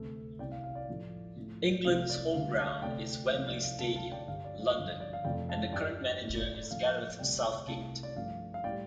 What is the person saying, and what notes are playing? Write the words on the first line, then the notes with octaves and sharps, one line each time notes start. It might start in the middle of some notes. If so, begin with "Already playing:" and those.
England's home ground is Wembley Stadium, London, and the current manager is Gareth Southgate.
Already playing: D2 C3 A3
C2 C3 A3 D5 G5
F5
F5
D5
A2 F3 A3
A2 F3 A3
C2 C3 A3 F5
D5
D2 D3 G3 F5
F5 A5
D2 C3 A3 D5 G5
C2 C3 F3 A3 F5
D5
F5
D2 C3 A3 F5 A5
F5 A5
D5 G5
G2 D3 G3 F5
D5
F5
G2 D3 F3 F5
D5
F5
F2 C3 F3 A3 D5 G5
F5 A5
G2 G3 D5 G5
A2 A3
D5
D5
A2 F3 A3 F5
D2 C3 G3 D5 G5
C2 C3 A3 F5 A5
D5
G2 F3 A3 F5
F5
A2 G3 D5 G5